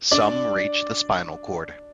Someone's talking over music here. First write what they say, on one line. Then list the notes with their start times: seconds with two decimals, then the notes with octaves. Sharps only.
Some reach the spinal cord.
0.11 D4 D5